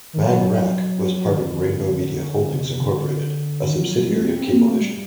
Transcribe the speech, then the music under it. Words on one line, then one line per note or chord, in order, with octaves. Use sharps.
Mag Rack was part of Rainbow Media Holdings, Incorporated a subsidiary of Cablevision.
D#3
F#3
F#3
D#3
D3
C3
D3
D#3
F#3
G3
A3
C4
C4
A#3
A3
G3